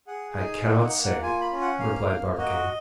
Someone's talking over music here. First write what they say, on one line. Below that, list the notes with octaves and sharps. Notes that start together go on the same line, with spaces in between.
"I cannot say," replied Barbicane.
G#4 F#5
D#4 G#5
A#3 F#5
F#5
A#3
F#5
F4 G#5
B5
C#4
F#5
A#3 F5
A#3
F#4 D#5